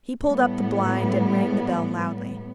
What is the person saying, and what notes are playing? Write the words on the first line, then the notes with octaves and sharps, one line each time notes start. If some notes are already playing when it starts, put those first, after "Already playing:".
He pulled up the blind and rang the bell loudly.
A2 G3 B3